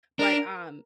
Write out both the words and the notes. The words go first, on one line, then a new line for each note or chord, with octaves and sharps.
But, um,
D4 A#4